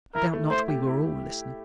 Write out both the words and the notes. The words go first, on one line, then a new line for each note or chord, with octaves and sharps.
I doubt not we were all listening.
E4 A#4
A3
A3 C5
G4
E4